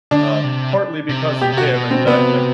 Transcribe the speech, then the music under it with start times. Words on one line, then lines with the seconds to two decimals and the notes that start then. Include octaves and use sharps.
Um, partly because of him and that like,
0.11 D3 D4
0.44 C3
1.09 C3
1.41 B2 G4
1.52 C3 F#4
1.63 B2
1.74 B2
1.91 C4
2.07 C3 B3